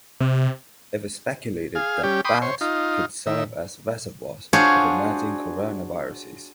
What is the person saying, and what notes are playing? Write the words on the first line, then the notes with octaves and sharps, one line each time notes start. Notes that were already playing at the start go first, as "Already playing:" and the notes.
It was speculated that bats could serve as reservoirs of emerging coronaviruses.
C3
G#4 F5
G3 C#4 G4
G5 B5 C6 D6 D#6
C5 C#5
D#4 F4
D#3 E5
D4 F4 F#4 G#4 C5 C#5